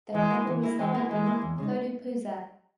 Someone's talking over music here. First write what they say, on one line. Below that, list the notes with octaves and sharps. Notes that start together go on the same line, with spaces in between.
The couple reside in Thodupuzha.
E3 G#3
A#3 E4 G#4
E3
A#3 E4 G#4
E3 G#3
A#3 E4 G#4
E3 G#3
A#3 E4 G#4
E2
C#3 G#3 D#4